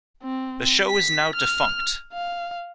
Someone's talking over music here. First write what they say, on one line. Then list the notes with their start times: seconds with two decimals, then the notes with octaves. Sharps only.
The show is now defunct.
0.23 C4
0.89 B6
1.36 F6
2.13 F5